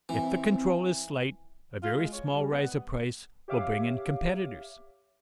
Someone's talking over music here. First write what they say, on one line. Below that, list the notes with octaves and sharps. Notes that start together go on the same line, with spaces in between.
If the control is slight, a very small rise of price will bring in competitors.
E3 C4
F4
G#3
C#5
G3
B3
G4 C#5 E5 F5 D6